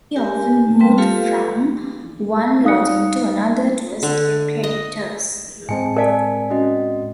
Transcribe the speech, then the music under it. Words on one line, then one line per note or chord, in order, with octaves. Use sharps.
He often moved from one lodging to another to escape creditors.
G4 A#4 G#5
G3 C4 B4 G5 A5 C6
A3 F4 G4 A4 B4 F5
D#4 F5 D#6 F#6 C#7
D3
D#5
A2 G#3 C4 G#5 A5 C#7
A#4 D5 G#5 A5 B6
C#4 F#4 D#5